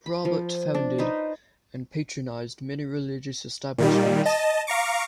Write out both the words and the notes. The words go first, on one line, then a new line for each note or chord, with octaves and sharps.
Robert founded and patronised many religious establishments.
B5
F3
D4
D#4 B4 C5
A#2 D#3 G3
D#5 A5
F5 A#5 C#6 D6